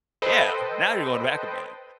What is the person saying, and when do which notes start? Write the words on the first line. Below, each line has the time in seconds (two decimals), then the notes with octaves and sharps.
Yeah, now you're going back a minute.
0.22 A4 B4 C5 D#5 G5